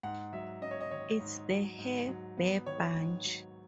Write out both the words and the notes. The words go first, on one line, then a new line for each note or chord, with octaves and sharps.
It's the Hair Bear Bunch!
G#2 F#5
F#3 E5
C#4 D#5
C#5
D#5
D#3 C#5
G#2
F#3
G#2
F#3
B3
D#3 C#5
G#2
F#3